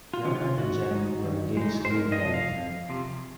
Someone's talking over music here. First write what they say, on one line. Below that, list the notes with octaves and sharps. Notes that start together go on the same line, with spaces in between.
Fiona and Jamie were engaged to be married.
F4
D#3 F#3 C#4
F4
D#3 F#4
G#3 D#4
D#3
G#3 D#4
C5
F2 A#4
D#5
C3 F3
F5
F2
C3 F3